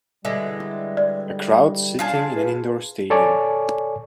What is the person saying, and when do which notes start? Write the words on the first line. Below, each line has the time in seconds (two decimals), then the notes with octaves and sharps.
A crowd sitting in an indoor stadium.
0.25 D3 E3 G3 G#3
0.97 D5
1.99 C#4 D4 F4 G#4 A5
2.37 B4
3.10 A4 C#5 D5 G#5